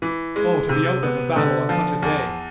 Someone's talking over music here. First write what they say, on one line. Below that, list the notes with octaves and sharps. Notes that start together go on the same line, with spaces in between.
Oh, to be out of the battle on such a day!
E3
G#3
C3
B3
D3
F3
E2